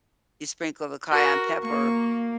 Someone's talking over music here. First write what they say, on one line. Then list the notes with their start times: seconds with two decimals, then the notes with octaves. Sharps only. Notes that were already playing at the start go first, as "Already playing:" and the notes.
You sprinkle the cayenne pepper
1.11 F#4 A#4
1.62 A#3 C#6